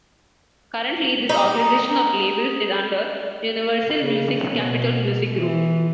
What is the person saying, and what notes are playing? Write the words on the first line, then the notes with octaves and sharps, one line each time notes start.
Currently, this organization of labels is under Universal Music's Capitol Music Group.
D#4
C#3
B2
E3